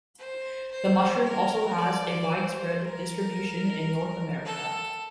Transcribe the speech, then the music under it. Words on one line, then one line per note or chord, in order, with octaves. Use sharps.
The mushroom also has a widespread distribution in North America.
C5
C5
A#4
D5
C5
A#4
A4